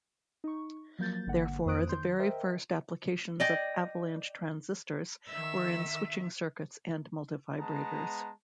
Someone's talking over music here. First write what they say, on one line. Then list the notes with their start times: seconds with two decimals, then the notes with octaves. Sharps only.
Therefore the very first applications of avalanche transistors were in switching circuits and multivibrators.
0.44 D#4 C#6
0.99 F3 F#3 A#3 G6 A6
1.27 G#1 D3 A#3 F#5
1.65 F2 A#3 C5 D#6 F#6 D7
1.89 D#3 C6 G6
2.19 A#4 C5 D#5 E5 G5
3.40 D5 D#5 G5
5.29 D#3 E5 E6
7.59 G#3 B3 A5 A#5